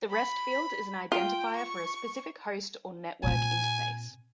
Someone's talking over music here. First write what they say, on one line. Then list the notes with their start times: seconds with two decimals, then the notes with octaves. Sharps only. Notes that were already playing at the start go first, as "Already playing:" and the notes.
The rest field is an identifier for a specific host or network interface.
0.11 B5
1.12 F4 G5
1.56 C#6
3.23 A#2 C4 G#5